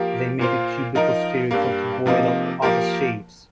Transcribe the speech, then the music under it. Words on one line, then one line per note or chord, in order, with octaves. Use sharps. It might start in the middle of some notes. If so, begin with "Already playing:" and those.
They may be cubical, spherical, cuboidal, or other shapes.
Already playing: F3 A#3 G4 A#4
A#2 A#3 F4 C5
F3 D#4 A#4
G2 G3 A#3
C3 F3 A#3 D#4
F3 A#3 G4 A#4